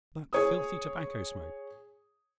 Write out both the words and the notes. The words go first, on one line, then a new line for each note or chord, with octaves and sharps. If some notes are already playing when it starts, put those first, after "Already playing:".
That filthy tobacco-smoke!
G#4 C#5 D#6